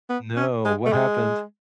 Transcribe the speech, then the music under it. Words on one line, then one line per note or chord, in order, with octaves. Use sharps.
No, what happened?
B3
C#4
G#3
A3
G#3